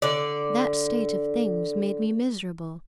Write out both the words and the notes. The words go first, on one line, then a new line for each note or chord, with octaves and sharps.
That state of things made me miserable.
D3 D5